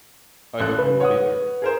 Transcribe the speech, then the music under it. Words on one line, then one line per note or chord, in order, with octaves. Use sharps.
I hope you will be there.
A1 A4 F#6
C#3 B4
C#5 F#5 D#6
G#4 A#4 C5